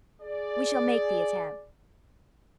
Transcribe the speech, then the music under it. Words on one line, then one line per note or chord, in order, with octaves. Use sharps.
We shall make the attempt.
G#4 D5